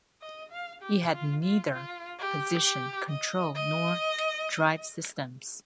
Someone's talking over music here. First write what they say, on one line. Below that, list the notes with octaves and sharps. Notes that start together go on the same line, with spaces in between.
It had neither position control nor drive systems.
D#5
F5
G4
F4
F4
F4
G4
G4
D#5
D#5